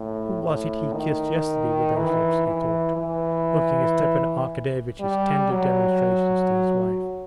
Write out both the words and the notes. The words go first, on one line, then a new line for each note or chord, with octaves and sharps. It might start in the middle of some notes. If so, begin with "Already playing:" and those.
"Who was it he kissed yesterday with those lips?" he thought, looking at Stepan Arkadyevitch's tender demonstrations to his wife.
Already playing: A2
A2
D#3
E3
E3
E3
G3
F#3